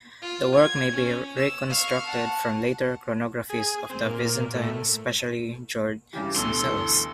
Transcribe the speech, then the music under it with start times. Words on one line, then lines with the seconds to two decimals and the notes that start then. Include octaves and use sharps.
The work may be reconstructed from later chronographists of the Byzantine, especially George Syncellus.
0.22 F4
0.56 G#6
0.93 C#4
1.37 E6
1.70 F5 C#6
2.07 F#5 A5
3.50 G#4
3.90 C4
4.03 A#2
4.54 A2
6.13 G2 C#3 E3 G4
6.36 D2 B2 E3 A4 C6